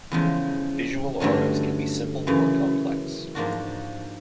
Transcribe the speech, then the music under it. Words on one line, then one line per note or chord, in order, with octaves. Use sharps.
Visual auras can be simple or complex.
E2 C#3 F3 G#3
G2 D3 F#3 A3 C#4
F#2 C#3 E3
G#2 F3 A#3 D4 F#4